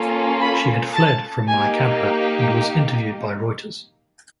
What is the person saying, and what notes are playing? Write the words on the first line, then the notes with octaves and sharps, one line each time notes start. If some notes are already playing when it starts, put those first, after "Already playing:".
She had fled from Mai Kadra and was interviewed by Reuters.
Already playing: A#3 C#4 F4 A4
B5
A5
A#3 D#4 G4 G#5